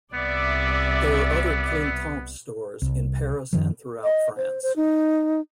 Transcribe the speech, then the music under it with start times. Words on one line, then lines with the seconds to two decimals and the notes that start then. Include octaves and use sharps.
There are other Printemps stores in Paris and throughout France.
0.14 C2 B3 D5 E5
2.82 C2
3.53 F#2 D#3 F3
4.03 D#5
4.37 C5
4.63 C5
4.76 D#4